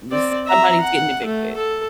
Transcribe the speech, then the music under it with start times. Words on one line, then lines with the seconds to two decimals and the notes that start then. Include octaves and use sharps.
This" somebody's getting evicted.
0.11 C4 D5
0.46 E5 A#5
0.82 F#5
1.25 A3
1.57 A4